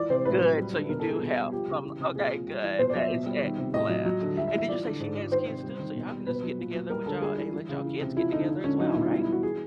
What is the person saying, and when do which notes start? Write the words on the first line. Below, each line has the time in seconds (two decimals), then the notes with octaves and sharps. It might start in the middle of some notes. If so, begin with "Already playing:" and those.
Good, so, you do have some Okay, good, that is excellent. And did you say she has kids, too? So, y'all can just get together with y'all and let y'all kids get together, as well, right?
Already playing: E3 F3 D5
0.10 C3 C5
0.25 A2 B4
0.41 F#3
0.57 G3
0.73 D3
0.89 B2 A#4
1.00 A4
1.05 G3 G#4
1.21 B2
1.36 G3
1.52 F3 G4
1.68 C#3
1.84 E3
2.00 C3
2.15 A#2 G#4
2.31 F3
2.47 G3
2.63 E3
2.79 B2 C5
2.90 D5
2.94 F#3
3.00 E5
3.11 B2
3.26 G3
3.42 D#3
3.58 C3
3.74 A2 D#5
3.89 F#3
4.05 F#3
4.21 D3
4.37 G3 E5
4.48 E5
4.53 E3
4.58 E5
4.69 F3 D5
4.85 D3
5.00 G#2
5.16 F3
5.32 D#3 C5
5.48 C3
5.64 G3
5.79 D#3
5.95 B2
6.11 G3
6.26 B2 B4
6.43 F#3
6.58 A#2
6.74 F#3
6.90 G3 A#4
7.06 D3 A4
7.21 G3 G#4
7.38 E3
7.53 E3
7.69 C#3
7.85 E3
8.01 C3
8.17 F3 E4
8.32 D3 D#4
8.48 F3
8.64 D3 C#4
8.80 F#3 D#4
8.90 E4
8.96 B2
9.01 F4
9.11 G3 E4
9.22 E4
9.27 E3 F#4
9.43 G#4